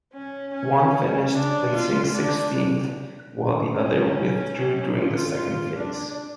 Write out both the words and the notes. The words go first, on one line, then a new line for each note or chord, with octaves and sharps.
One finished, placing sixteenth, while the other withdrew during the second phase.
C#4
C#4
D4
F4
D4
C#4
F4
D4